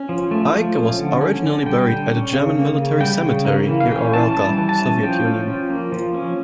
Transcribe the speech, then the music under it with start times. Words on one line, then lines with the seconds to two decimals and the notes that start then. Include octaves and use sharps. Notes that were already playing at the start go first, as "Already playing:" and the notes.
Eicke was originally buried at a German military cemetery near Orelka, Soviet Union.
Already playing: C#4
0.09 F3
0.31 A3
0.53 F3
0.75 C#4
0.99 D3
1.21 C#4
1.44 D3
1.66 G3 G5
1.89 D3
2.11 C#4
2.33 C#3
2.55 A#3
2.78 C#3
3.00 G3 G5
3.23 C#3
3.45 A#3
3.68 E3
3.80 F5
3.90 C#4 G5
4.13 E3 A5
4.35 G3 A5
4.58 E3
4.69 A5
4.80 C#4
5.02 F3 G5
5.25 C#4
5.48 F3
5.70 A#3
5.92 F3
6.14 C#4